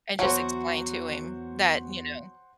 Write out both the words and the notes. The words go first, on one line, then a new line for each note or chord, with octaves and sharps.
and just explain to him that, you know
E2 F#3 F#4 C5 F#5